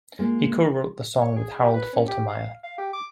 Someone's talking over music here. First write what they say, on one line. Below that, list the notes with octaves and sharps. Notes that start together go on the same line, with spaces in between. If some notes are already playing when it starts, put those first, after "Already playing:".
He co-wrote the song with Harold Faltermeyer.
G#3 A#3 F4
C#5
G#4
G4
B4
C#4
G4
F5
F5
G4
D6